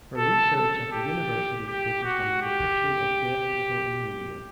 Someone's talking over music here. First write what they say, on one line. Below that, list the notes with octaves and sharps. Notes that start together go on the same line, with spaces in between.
Her research at the university focused on the depiction of deaf people in media.
A4
A4
G4
G4
F#4
G4